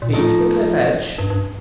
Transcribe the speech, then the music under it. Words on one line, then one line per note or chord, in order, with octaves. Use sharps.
"Been to the cliff edge?"
A#2
A2 F3 A3 D#4
G2
G2